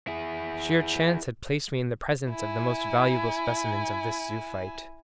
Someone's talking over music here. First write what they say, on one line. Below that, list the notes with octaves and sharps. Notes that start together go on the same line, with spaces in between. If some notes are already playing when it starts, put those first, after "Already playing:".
Sheer chance had placed me in the presence of the most valuable specimens of this zoophyte.
E4 G#4
E4 G#5